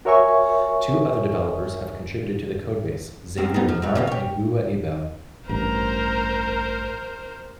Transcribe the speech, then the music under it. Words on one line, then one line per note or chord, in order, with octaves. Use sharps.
Two other developers have contributed to the code base: Xavier Renard and Uwe Ebel.
F#4 A#4 C#5 E5 G#5 C#6
F#2 G#3 C4
B3 D#4
F3
F#3 G3
B2 C#4 F4
G4 C#5
A1 G2 A#4 C5 A#5